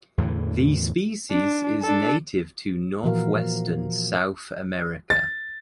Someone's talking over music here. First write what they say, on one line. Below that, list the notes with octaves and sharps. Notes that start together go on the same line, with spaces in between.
The species is native to northwestern South America.
E2 A2 D3 E3
D4
D4 A4
A#2 E3 F3 F#4 A#4 F5
A6